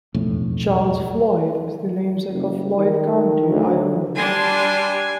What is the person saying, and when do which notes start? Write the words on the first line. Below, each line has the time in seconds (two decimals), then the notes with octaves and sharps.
Charles Floyd is the namesake of Floyd County, Iowa.
0.14 E1 B1 F2 A2
2.32 F#1
2.78 D#3
3.51 D2
4.16 G3 D4 G#5 C6